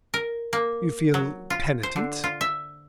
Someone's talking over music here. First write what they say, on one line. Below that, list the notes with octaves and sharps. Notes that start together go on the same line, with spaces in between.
"You feel penitent?"
A#4
A#3
F#3
F4
C5
D3
F4
E5